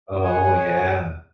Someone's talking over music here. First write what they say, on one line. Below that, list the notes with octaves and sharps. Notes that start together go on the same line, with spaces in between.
Oh, yeah.
F2 G#4 C#5 F#5 G#5 D#6